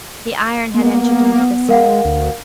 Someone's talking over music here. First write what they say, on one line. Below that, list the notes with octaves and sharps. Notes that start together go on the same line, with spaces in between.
The iron had entered into the soul.
A#3 B3
G#3 A#4 F5 F#5
D2